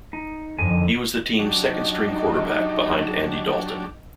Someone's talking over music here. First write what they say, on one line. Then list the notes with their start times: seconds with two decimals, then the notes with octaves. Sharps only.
He was the team's second-string quarterback behind Andy Dalton.
0.13 D#4
0.59 F2 D3 D#3 G#5
1.39 F#3 D4 D#4 G4